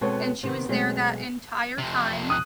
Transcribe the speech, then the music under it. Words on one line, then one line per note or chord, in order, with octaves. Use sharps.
and she was there that entire time,
B2 G#3 B3 C4 A4 C#5
C3 D#3 B3
B2 F#3 G#3 A3 B3 C4
F2 C3
D#6 F#6